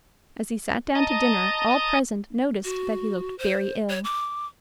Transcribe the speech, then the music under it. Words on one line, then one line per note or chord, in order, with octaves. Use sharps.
As he sat down to dinner all present noticed that he looked very ill.
D#5 A5 A#5 D#6
F#4
C5
C#5
D6